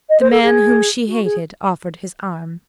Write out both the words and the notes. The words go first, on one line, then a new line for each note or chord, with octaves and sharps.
The man whom she hated offered his arm.
D#5
C5
A4
G#4
F#4
G#4